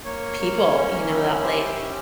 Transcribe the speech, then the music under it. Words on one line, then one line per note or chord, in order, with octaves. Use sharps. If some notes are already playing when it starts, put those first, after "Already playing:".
people, you know, that, like,
A#3 C#5
A#3
C#4
E4
G4 C5
C#4